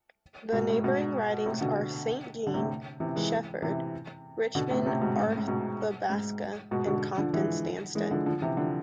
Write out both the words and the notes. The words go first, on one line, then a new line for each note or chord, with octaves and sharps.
The neighbouring ridings are Saint-Jean, Shefford, Richmond-Arthabaska, and Compton-Stanstead.
G#2 B2
A2
G#2 B2
A2 C3
B2 D3
D3
A2 C3
C3 E3
E3 G#3
C3 E3
B2 D3
A2 C3
A2 C3
G#2 B2
G#2
A2
G#2
G#2 B2
G#2
G#2 B2
B2 D3
D3 F3
E3 G#3
E3 G#3
D3 F3
D3 F3
C3 E3
D3 F3